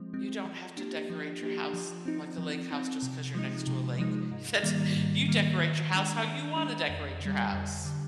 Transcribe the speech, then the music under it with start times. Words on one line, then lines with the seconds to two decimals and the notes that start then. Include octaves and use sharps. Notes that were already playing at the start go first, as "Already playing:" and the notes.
You don't have to decorate your house like a lake house just 'cause you're next to a lake. That's you decorate your house how you wanna decorate your house.
Already playing: F3 G#3 C4
0.13 G#3 C4
0.45 F3
0.77 A#3 D4 G4
1.10 F3
1.42 A#3 D4 G4
1.73 F3
2.05 C4 D#4
2.38 F3
2.71 C4 D#4
3.02 C3
3.34 F3 G#3 D#4
3.67 C3
3.99 F3 G#3 D#4
4.31 G#2
4.63 D#3 G3 A#3
4.96 G#2
5.28 D#3 G3 A#3
5.60 D#3
5.92 G#3 D4
6.25 D#3
6.56 G#3 D4
6.89 F2
7.21 D3 G3
7.53 F2
7.85 D3 G3